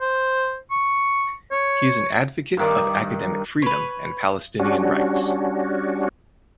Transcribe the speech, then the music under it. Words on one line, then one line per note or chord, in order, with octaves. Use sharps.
He is an advocate of academic freedom and Palestinian rights.
C5
C#6
C#5
G2 D#3 D5
B4 C#5
G3 C#4 D4 F#4